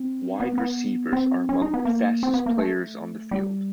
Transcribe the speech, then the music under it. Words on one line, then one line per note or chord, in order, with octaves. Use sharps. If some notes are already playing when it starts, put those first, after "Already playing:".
Wide receivers are among the fastest players on the field.
Already playing: C4
B3
B3
C4
C#4
D#4
B3
A#3
C4
B3
A#3
A3
G3